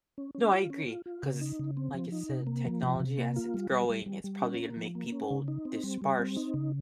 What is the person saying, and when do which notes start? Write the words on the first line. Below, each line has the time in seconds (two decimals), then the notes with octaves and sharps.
No, I agree. 'Cause, like you said, technology, as it's growing, it's probably gonna make people disperse
0.18 C#4
0.35 C#4
0.53 F4
0.70 C#4
0.88 F4
1.06 F4
1.23 C#3
1.41 D#4
1.59 C#3
1.77 C4
1.94 F3
2.12 D#4
2.29 C3
2.47 A#3
2.65 F3
2.83 C3
3.00 C3
3.18 A#3
3.36 F4
3.54 G3
3.71 G3
3.89 G3
4.06 G3
4.24 G3
4.42 C#4
4.60 A#3
4.77 F3
4.95 A#3
5.12 C#4
5.31 C#3
5.48 D#4
5.65 C4
5.83 G3
6.02 G3
6.19 C4
6.37 D#4
6.54 C#3